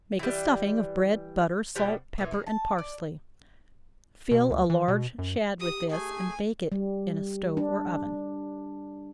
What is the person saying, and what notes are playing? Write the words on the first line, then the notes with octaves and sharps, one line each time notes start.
Make a stuffing of bread, butter, salt, pepper and parsley; fill a large shad with this, and bake it in a stove or oven.
E3 G3
B2 F3 G3
A#2 E3
D#3 G#4
A5
D5
B2
D2
E3
B2
F#2
G4 D#6
A3 G#4 G#5
G3
D4